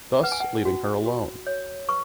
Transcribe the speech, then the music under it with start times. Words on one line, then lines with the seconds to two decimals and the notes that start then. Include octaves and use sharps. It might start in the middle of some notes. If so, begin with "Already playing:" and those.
Thus leaving her alone.
0.23 B4 F#5
0.32 G#5
0.40 F#5
0.65 F#4
1.06 F#4
1.47 C#5
1.89 B4 C#6